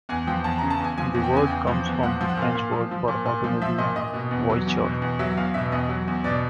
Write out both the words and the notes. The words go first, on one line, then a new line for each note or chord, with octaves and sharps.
The word comes from the French word for "automobile", "voiture".
E2 G#5
F3 G5
E2 A5
A#5
C#3
A5
E2 G#5
F3 G#5
E2
G5
C#3 G#5
E2 G5
F3
E2
F3 F#5
F3
F#5
A#2 F5
A#2
F3
F3
A#2
A#2
F3
F3 E5
A#2 D#5
A#2 D#5
B2
E2
F#3
E2
B2
E2
F#3 E5
E2 F5
B2 E5
E2 D#5
F#3
E2
B2 D5